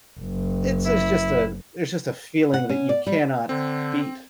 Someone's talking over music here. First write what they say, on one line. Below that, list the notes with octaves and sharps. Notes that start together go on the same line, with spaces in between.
It's a it's just a it's just a feeling that you cannot beat
F#1
E4
F#5
C#4
D5
G3
D3 C4